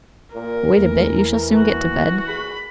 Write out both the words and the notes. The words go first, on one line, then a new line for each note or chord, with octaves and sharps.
Wait a bit, you shall soon get to bed....
A#2 A#4
E2 E3 A3 A#3
F#4
G#4 B5